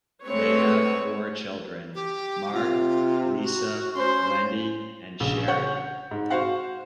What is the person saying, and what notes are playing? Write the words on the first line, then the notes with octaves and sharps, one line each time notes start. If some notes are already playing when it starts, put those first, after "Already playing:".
They have four children: Marc, Lisa, Wendy, and Sherry.
G#3 A3 C4 B4 C#5
G4
C3 F4
F#4
C#4 C5
A#1 C#3
C#5 F#5 G6
G#2
F#4 C5 F5 F#5